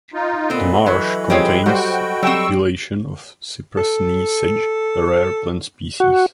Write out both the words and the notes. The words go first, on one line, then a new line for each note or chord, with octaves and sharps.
The marsh contains a population of Cypress Knee Sedge, a rare plant species.
D#4 F4
A#2 B3 C4 A4 D#5 B5
E3 F#3 B4
F3 G3 G#3 C4 G#4 C#5
F#3 G3 F#4 C5 F#5 G5
F#3 G3 C4 G5 C#6 E6 E7
A4
F#4